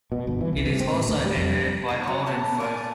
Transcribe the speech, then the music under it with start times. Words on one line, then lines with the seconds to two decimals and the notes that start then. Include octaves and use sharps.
It is also edited by Holden Frith.
0.12 B2
0.27 G1
0.41 E3
0.53 C2
0.66 C3
0.80 C4
0.93 A2
1.08 D2
1.24 G3
1.37 F2
1.50 G2
1.88 D#4 G#4
2.03 F#3 C#5
2.26 B3 A4 A5
2.60 A#4 D5 E5 G#5